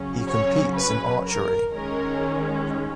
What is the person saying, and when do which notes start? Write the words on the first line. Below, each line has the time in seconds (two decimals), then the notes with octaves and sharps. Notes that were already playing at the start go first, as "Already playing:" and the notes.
He competes in archery.
Already playing: C#3 F#3 C#4
0.27 C#5
0.75 B4
1.24 A#4
1.71 D#3 G#3 C#4 A#4